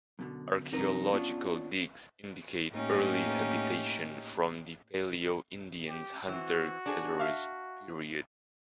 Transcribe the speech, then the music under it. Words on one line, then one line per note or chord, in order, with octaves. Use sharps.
Archeological digs indicate early habitation from the Paleo-Indians Hunter-gatherers period.
F#2 B2 D3
F2 C3 D#4 A#4 B4
B3 C#4 D4 F4 C#5
A2 A#3 C#4 D#4 G4
G4
E3 C4 F#4
D4 G#4
E5 F5